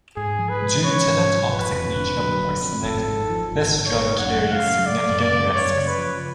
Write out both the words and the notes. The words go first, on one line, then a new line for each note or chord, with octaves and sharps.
Due to the toxic nature of arsenic, this drug carries significant risks.
G#2 G#4
F3
B4
G#3
C#4 C#5
G#2
F3
F1 B4
F2
D3
F#3
F1
F2
G#1 A4
G#2
F3
G#1
G#1
C#5
G#2
F#2 F#5
C#3
F5
F#3
A3 D5
F#2
D5
C#3
F#2 C#5
C#3
B4
F3